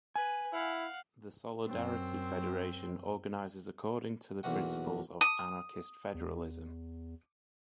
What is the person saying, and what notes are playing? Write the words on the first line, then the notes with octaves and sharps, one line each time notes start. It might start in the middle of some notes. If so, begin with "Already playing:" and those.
The Solidarity Federation organises according to the principles of anarchist federalism.
B4 G#5
E4 F5 F#5
F#2 C4
B1 E2 A#3 F#4 F#5
D#6
E2